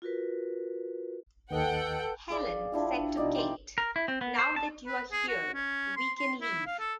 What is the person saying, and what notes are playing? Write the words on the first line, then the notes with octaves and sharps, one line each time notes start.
Helen said to Kate, Now that you're here, we can leave.
F4 F#4 A#4 B4
D#2 D#3 A4 B4 D#5 F#5 G5
G#4 D5 F5
F3 D4 E4 G4
B2 E3 D#4 D5
G5 C6
A#4
E4
C4
B3
C5
A5
B4
G#4
F#4
C#4
C6
C6
E4
F5
A4